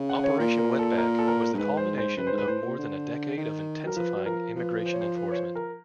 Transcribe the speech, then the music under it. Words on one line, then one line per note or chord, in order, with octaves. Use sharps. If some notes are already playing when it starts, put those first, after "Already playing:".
Operation Wetback was the culmination of more than a decade of intensifying immigration enforcement.
Already playing: C#3
F#5
C#5
A#2 A#4
A#4
A4
A#4
A4
A#4
G2
G#2 B4
C5
C5
F#2 B4
C5
G#2
B4
A2 C5
A#2
D3
D#3
F#3 A#4
F3 B4
F#3
F3 A#4
F3 B4
C5
C#5
C5
B4
C#5
C5
A#4